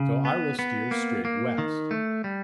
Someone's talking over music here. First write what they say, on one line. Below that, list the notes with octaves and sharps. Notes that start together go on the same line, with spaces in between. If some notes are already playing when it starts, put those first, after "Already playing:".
So I will steer straight west.
Already playing: C#3
B3
B3
A#3
A#3
D#3
A3
G3